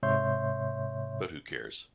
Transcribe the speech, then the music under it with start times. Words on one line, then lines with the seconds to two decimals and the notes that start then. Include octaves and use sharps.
But who cares?
0.03 G#2 C3 C#5 E5 C6 G6